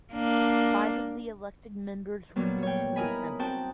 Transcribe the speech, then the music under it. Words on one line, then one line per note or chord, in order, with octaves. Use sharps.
Five of the elected members were new to the Assembly.
A#3 D4
A#2 F#3 G3 B3
C#5 G5
D#4 E4 A#4 D#5 G#5 B5
C4 F#4 G5 A5